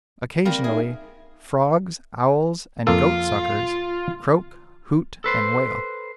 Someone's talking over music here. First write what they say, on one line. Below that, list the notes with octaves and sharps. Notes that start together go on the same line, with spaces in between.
Occasionally frogs, owls, and goat-suckers croak, hoot, and wail.
G3 A#3 C4 A#4
D#4 G#4 E5
F2 A#3 F4 A4
A4 B4 C5